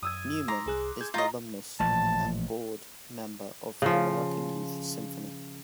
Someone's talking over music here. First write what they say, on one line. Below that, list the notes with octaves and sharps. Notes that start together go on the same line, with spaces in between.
Newman is an alumnus and Board Member of the American Youth Symphony.
F#2 D#6 E6 G#6
A#5 C6 D6
C2 G#4 F#6
G#4 G6 G#6
F4 D#5 A#5 C#6 G6
A1 A#2 F3 A5
C#3 F3